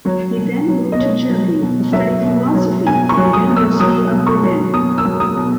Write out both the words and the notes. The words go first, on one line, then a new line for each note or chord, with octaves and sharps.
He then moved to Germany, to study philosophy at the University of Berlin.
F#3 C#5
B2
F#3
D#5
B2 C#5
F#3
B2
F#3 E5
B2
F#3
B2 G#5
C#6
F#3
D#6
B2
E6
F#3 D#6
B2
C#6
F#3
B2 D#6
E6
F#3
D#6
B2